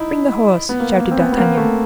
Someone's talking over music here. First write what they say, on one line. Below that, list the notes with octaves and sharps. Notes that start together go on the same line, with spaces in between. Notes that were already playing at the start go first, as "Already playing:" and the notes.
"Bring the horse!" shouted D'Artagnan.
Already playing: D#4 E4
B3
A#3
A#3
C4
B3
B3
A#3
A3